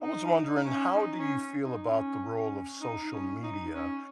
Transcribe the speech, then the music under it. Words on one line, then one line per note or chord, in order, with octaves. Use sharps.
I was wondering, how do you feel about the role of social media
D#4
D#4
C#4
D#4
C#4
D#4
C#4
C#4
D#4
C#4
D#4
C#4